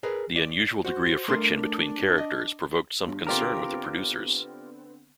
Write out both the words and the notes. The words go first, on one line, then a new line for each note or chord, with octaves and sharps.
The unusual degree of friction between characters provoked some concern with the producers.
G#4 A#4 B4
D5
F#4 C5
A3 D4 A#4 C6
D#5
G1 G2
D3 B3 C4 F4 G4 A#4